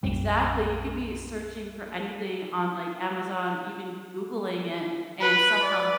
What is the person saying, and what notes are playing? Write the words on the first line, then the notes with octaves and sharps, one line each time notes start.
Exactly. You could be searching for anything on, like, Amazon, even Googling it, and somehow
B1 F#2 G3
B4
D5